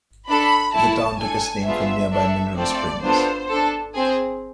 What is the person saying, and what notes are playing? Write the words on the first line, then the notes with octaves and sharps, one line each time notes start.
The town took its name from nearby mineral springs.
D4 A4 B5
A3 E4 A4 A5
D4 A4 G#5
B3 D4 F4 G#4 E5
D4 A4 E5
A3 C4 F4 A4 D5
B3 D4 F4 A4 C5
D4 A4
C4 G#4